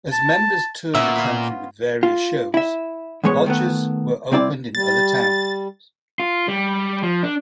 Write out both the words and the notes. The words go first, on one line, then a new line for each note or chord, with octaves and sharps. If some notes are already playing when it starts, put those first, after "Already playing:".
As members toured the country with various shows, lodges were opened in other towns.
A5
A#2 B3 C#4 E4 E5
F4 B5
F4
E4 E5
E2 A2 G#3 B3 C#5
D#3 A3 B3
C2 C4 E4 D5
G3 A6
F4
G3
F3
D4